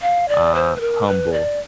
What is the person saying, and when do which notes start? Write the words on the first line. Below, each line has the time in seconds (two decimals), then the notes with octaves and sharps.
uh, humble
0.02 F5
0.29 D5
0.55 C5
0.76 B4
0.81 A#4
1.07 B4
1.32 D5